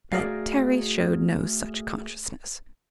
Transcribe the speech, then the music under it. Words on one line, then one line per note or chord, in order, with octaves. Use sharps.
But Terry showed no such consciousness.
A3 F#4 G#4 A#4 D5 F5